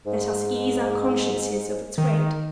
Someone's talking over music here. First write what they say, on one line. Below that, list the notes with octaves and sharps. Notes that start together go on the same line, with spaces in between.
Let us ease our consciences of its weight.
G#2
D#3